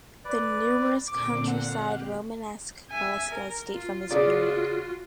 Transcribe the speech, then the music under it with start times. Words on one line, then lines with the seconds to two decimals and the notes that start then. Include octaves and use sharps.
The numerous countryside Romanesque basilicas date from this period.
0.25 B4 D5
1.08 A#2 D3 C4 D6
1.48 F5 F#5 F#6
1.81 G4
2.91 E5 G#5
3.31 A#4
3.74 F4
4.11 C#3 F4 F#4 D5